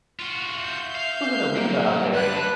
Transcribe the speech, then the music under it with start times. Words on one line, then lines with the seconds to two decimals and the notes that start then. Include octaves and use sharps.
we’re gonna move out there.
0.19 F4 F#4
0.58 E5 G6
0.95 F5
1.56 E2 F#3 G3 A#3
2.14 A3 D4 B4 A5 F#6